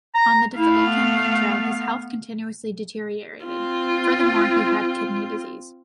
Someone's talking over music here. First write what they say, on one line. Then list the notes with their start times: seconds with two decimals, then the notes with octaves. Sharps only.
On the difficult campaign trail, his health continuously deteriorated; furthermore he had kidney disease.
0.14 A#5
0.58 A3 E4 F5
0.86 B3
3.45 C4 F4